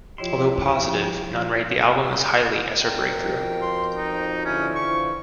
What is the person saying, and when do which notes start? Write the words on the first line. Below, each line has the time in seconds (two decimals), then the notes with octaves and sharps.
Although positive, none rate the album as highly as her breakthrough.
0.18 F3 E4 F4 G4 C#5 D#5 C6
2.00 C#3 C6 E6
2.82 F2 B2 F3 A#4 G5
3.62 C6
3.96 D#4
4.45 D3 C#4 E4
4.75 E3 F3 C#6